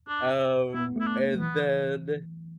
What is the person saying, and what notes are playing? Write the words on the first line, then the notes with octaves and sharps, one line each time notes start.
Um, and then
D4
B3 E4
A3
E4
D4
F#3
E3 B3